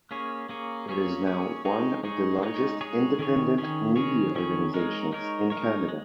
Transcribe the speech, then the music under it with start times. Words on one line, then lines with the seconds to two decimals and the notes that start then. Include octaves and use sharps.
It is now one of the largest independent media organizations in Canada.
0.11 A#3 C#4 G#4 C#5
0.49 A#3 C#4 G#4 C#5
0.88 A#3 C#4 G#4 C#5
1.26 A#3 C#4 G#4 C#5
1.65 G#3 D#4 G#4 C#5
2.03 G#3 D#4 G#4 C#5
2.42 G#3 D#4 G#4 C#5
2.81 G#3 D#4 G#4 C#5
3.19 D#3 C#4 G#4 C#5
3.58 D#3 C#4 G#4 C#5
3.96 D#3 C#4 G#4 C#5
4.35 D#3 C#4 G#4 C#5
4.74 G#3 D#4 A#4 C#5
5.12 G#3 D#4 A#4 C#5
5.50 G#3 D#4 A#4 C#5
5.88 G#3